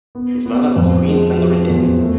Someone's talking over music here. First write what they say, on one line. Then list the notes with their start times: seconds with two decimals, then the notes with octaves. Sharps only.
His mother was queen Sundari-Devi.
0.15 B3
0.45 B3
0.76 F2
1.08 G#3
1.38 F3
1.69 E2
2.00 A3